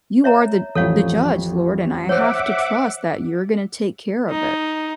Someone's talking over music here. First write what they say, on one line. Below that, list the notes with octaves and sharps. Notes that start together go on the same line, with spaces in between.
you are the the judge, Lord, and I have to trust that you're gonna take care of it.
C#5 E5 A#5
A1 F2 A4 C#5 F5
C5 C#5 E5 F#5 D6
D#4